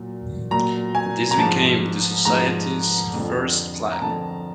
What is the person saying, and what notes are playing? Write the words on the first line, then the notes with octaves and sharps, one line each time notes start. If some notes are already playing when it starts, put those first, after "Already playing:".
This became the society's first flag.
Already playing: A#2 F#3
A#2 F#3 A#5
G#5
A#5
G#2 F3 A5
G#2 F3 A#5
F2 D3 F3
A#5
F2 D3 F3 A5